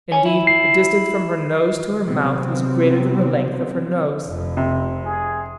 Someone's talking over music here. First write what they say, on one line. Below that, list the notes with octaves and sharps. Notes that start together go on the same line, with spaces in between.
Indeed the distance from her nose to her mouth was greater than the length of her nose.
C#5 G#5
E4
C7
C3 F#3 B3 C4
F1 F2
C3
G#4